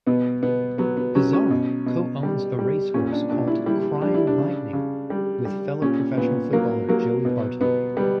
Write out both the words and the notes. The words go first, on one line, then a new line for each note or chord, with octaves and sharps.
Pizarro co-owns a race horse called 'Crying Lightning' with fellow professional footballer Joey Barton.
B2 B3
B2 B3
F#3 B3
B3
F#3 C#4
C#4
B2
B2
G3
G3
A#2 C#4
D4
A#2 D4
E4
G3 E4
G3 D4
E4
D4
C#3
C#3
G3
G3
A#2 C#4
A#2 B3
F#3 A#3
F#3 A#3
B2 B3
B2 B3
G3 B3